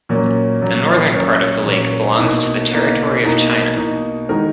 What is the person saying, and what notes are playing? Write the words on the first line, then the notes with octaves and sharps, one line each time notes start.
The northern part of the lake belongs to the territory of China.
A#2 F#3 A#3 C#4
A#2 F#3 A#3 C#4
A#2 F#3 A#3 C#4
A#2 F#3 A#3 C#4
B2 A#3 D#4
B2 A#3 D#4
B2 A#3 D#4
B2 A#3 D#4
D#3 G#3 D#4 F#4 A#4